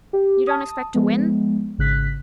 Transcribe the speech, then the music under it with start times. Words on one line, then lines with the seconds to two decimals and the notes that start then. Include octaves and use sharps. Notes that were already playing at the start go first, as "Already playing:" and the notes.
"You don't expect to win?"
0.13 G4
0.47 A5 D#6
0.94 F3 G#3 B3
1.78 G#1 C#3 F#6 B6